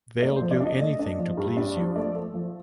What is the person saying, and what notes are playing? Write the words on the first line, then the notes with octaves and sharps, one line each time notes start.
They'll do anything to please you.
A3 D5
C5
F3
D5
D4
D#5
A3 D#5
D4
F3
G2
D4
F3
A3 D5
A3
F3